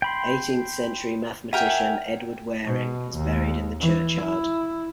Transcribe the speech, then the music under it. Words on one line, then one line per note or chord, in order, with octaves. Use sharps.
Eighteenth-century mathematician Edward Waring is buried in the churchyard.
G5 B5 C6
F#4 A#4 E5 G5 G#5
B2
D#2
E3
E4